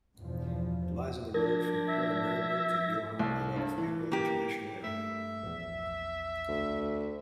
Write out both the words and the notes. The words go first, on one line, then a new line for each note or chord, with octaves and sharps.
It lies on the road from Paramaribo to Johan Adolf Pengel International Airport.
E2 G2 B2 F3
F3 D4 A#4 G#6 A#6
E5
C2
G2
E3
A#3 G4
G2 A3 E5
A#1 E2
D2